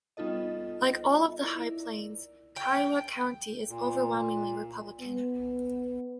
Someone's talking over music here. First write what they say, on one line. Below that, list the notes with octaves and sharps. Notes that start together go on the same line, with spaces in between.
Like all of the High Plains, Kiowa County is overwhelmingly Republican.
G3 B3 D#4 F4 A4 D#5
E4 A#4 D5
G5
A#2
B3